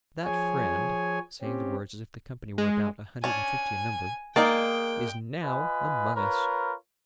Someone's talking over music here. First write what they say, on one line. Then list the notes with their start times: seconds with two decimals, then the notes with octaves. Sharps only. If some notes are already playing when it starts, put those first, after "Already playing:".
That friend,' saying the words as if the company were about a hundred and fifty in number, 'is now among us.
0.25 F3 G#4 C#5 G#5
1.42 C4 C#4 G4
2.58 G#3
3.24 C#4 D4 G#5
4.36 G#3 A#3 D#4 D5 G5
5.44 F4 B4 D#5 G#5
6.16 F4 A#4 B4 C#5